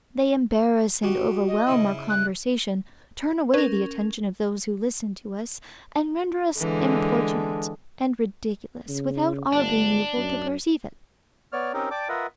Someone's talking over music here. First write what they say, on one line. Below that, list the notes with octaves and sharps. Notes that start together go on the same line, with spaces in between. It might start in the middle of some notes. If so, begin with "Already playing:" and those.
They embarrass and overwhelm our conversation, turn away the attention of those who listen to us, and render us importunate, and ridiculous, without our being able to perceive it.
D#4 F#4 G4
D#5
C#3 D#4 E4
F#6
C#4 A#4 B4
D3 E3 G#3
C#3
G1 D4
F#2
B3 C#5 D5 F6
C4 C#4 D#4 G4 A#4
D5 G5 A5 D6
F4 A#4 B4 D#5 E5 F#5